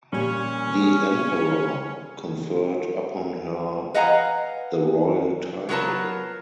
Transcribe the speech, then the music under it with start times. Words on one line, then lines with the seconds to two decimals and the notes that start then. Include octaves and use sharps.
The emperor conferred upon her the royal title.
0.13 A#2 G3 C#4
0.81 G3 G#4
3.94 B4 D#5 F5 F#5 G#5 A#5
5.69 F#3 B3 F4 A#4 B4 A5